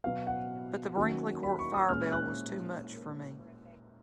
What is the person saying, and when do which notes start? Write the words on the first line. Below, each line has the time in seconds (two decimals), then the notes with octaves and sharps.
But the Brinkley Court fire bell was too much for me.
0.04 B2 F#3 B3 F5
0.27 F#5
0.96 D#3 F#3 A#3 C#4
1.43 B5
1.59 C#6
1.74 D#6
1.89 A#2 G#3 C#4 F6
2.12 F#6